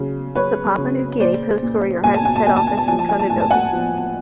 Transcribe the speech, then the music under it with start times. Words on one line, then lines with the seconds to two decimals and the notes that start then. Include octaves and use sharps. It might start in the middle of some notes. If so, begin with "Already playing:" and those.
The "Papua New Guinea Post-Courier" has its head office in Konedobu.
Already playing: C#3 F#3
0.35 F#3 B4 C#5
0.78 C#3
1.20 A#2 C5 D5
1.62 A#2
2.04 A#2 G#5
2.15 A5
2.25 G#5
2.36 A5
2.46 A#2 G#5
2.57 A5
2.67 G#5
2.77 A5
2.88 F3 G#5
2.99 A5
3.09 G#5
3.19 A5
3.30 A2 G#5
3.40 A5
3.50 F#5 G#5
3.73 F3